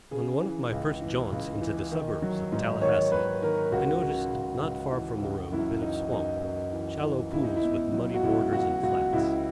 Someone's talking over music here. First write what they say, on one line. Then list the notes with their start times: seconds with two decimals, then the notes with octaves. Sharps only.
On one of my first jaunts into the suburbs of Tallahassee I noticed not far from the road a bit of swamp,--shallow pools with muddy borders and flats.
0.11 C#3 G#4
0.42 E3
0.72 C#2
1.01 E3
1.32 C#2
1.62 E3
1.91 D#3
2.22 F#3
2.52 G#2
2.81 D#3 C#5
3.12 D#3 B4
3.42 D#3 A#4
3.72 C#2 F#4
4.02 C#3
4.32 C#2
4.63 C#2
4.92 E3
5.22 C#2
5.52 F#2 E4
5.82 E3 D#4
6.13 F#2 D#4
6.43 F#2
6.73 E3
7.03 E3
7.33 C#2 E4
7.44 D#4
7.56 E4
7.63 B2
7.92 F#3
8.14 F#4
8.23 C#2 E4
8.52 C#2 F#4
8.83 C#2 F#4
9.13 C#2 E4